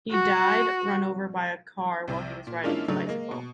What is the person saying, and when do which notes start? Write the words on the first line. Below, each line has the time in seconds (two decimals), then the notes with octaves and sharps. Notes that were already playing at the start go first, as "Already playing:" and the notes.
He died run over by a car while he was riding his bicycle.
0.11 F#4
2.08 C2 C3
2.47 A#2
2.63 G#3 A#3 C#4 D4 E4 F4
2.88 C#3 F#3 A3 D4
3.06 G#3 A#3
3.31 B2